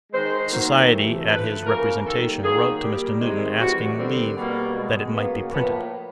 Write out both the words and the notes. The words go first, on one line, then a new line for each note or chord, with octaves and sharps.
The Society at his representation wrote to Mr. Newton asking leave that it might be printed.
D#3 G#3 C5
D#3 F#3 A#3
C3 E3 A3
D3 F3 A3 B4
C#3 F3 A#3 A#4
D#3 G3 A#3 A4
D#3 F#3 A#3 G#4
A#2 G3 A#3 G4
C3 D#3 G#3
C3 E3 G3 F#4
D3 G3 A#3 C4
B2 G3 A#3
B2 G#3
C#3 F#3 A#3 B3
A2 F3 A#3 B3